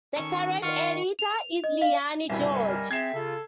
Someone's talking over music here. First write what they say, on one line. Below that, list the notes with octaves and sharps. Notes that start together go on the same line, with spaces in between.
The current editor is Lianne George.
D#3 C#4 A4 C#6
D#3 F4 F#5 C#6 F6
F7
D#5
F5
G1 C2 B2 E4 A#4 G5 G#5
G3 A#4 F#5
A#4 D#5 F6
C4 G#4 E5 G5 G#6 C7 E7
C#3 F4 A4